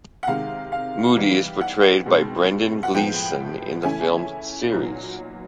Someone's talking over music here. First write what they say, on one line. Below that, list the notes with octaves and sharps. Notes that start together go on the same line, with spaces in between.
Moody is portrayed by Brendan Gleeson in the film series.
F#5
C3 D#3 G#3 F5
F5
E3 G3 B3 D#4
F#5
B2 G#3 C4 D#4
F#5
A2 F3 G#3 B3 G5
C#3 E3 A3 C#4 E4 G#5
A#2 F#3 B3 D#4